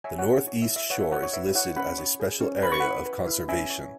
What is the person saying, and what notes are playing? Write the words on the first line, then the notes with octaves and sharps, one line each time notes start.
The North-East Shore is listed as a Special Area of Conservation.
C#5 E5 G#5
C#5 F#5
E4
C#5
C#5
E5
E4
E5
B4 C#5 F#5
E5
E4 C#5 F#5
C#5
B4 E5
E4 C#5 F#5
C#4 F#5 B5
C#5
G#4
C#4
B4 B5
C#6
E4 F#5 B5
B4
E4
C#4 E5 G#5
C#5